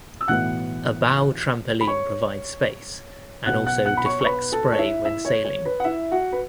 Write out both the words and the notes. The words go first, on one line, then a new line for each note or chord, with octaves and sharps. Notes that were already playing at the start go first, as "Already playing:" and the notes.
A bow trampoline provides space and also deflects spray when sailing.
E6
B1 A2 E3 B3 F#5 F#6
B5
C#5 C#6
B1 B2 B3 F#5 F#6
F#5 F#6
F#5 F#6
B5
C#5 C#6
C#6
B4 B5
A4 A5
C#5
E4 E5
E4 E5
C#5
C#5
B4
F#5
E4 E5
F#4 F#5
B4